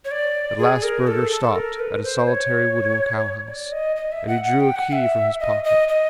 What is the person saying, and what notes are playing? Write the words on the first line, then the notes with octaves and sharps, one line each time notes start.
At last Burger stopped at a solitary wooden cow-house, and he drew a key from his pocket.
C#5
D5
G#4
A#4
A4
A4
A#4
B4
C5
C#5
D5
D#5
D#5
E5
F#5
F#5
G5
F#5
E5
D#5
D#5
D#5